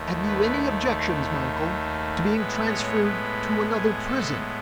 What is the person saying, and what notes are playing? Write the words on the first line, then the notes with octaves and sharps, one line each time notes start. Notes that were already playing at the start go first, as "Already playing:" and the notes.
"Have you any objection, Mankell, to being transferred to another prison?"
Already playing: D#2 D#3 A3
B4
A2 G#3 B3 B4
C#5
B4
G#4
A4